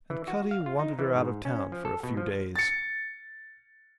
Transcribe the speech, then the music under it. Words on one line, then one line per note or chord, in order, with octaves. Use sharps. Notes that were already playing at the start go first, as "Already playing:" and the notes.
And Cutty wanted her out of town for a few days.
E3
F#4
F5
F4
D#4
E3
G#2
C#4
F3
A4
B2
F3
A6 C#7